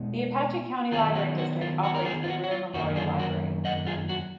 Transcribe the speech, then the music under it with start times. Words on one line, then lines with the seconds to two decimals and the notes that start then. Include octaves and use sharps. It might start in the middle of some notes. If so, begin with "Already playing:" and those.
The Apache County Library District operates the Greer Memorial Library.
Already playing: B2 G#3 B3 D#4
0.92 D#3 F#3 B3 D#4 F4 G#4
1.15 F#4
1.38 F#4
1.61 F4
1.83 F#4
1.95 A#4
2.05 F4 G#4
2.24 F4
2.28 F#4
2.44 F#4
2.51 F4
2.74 F#2 D#3 A#3 F#4
2.96 F4 G#4
3.19 F#4 A#4
3.65 D#5 F#5
3.87 F4 G#4
4.09 F#4